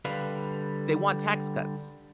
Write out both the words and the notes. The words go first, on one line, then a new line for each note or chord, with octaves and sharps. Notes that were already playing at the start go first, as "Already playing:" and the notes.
they want tax cuts.
D3 G3 B4 F5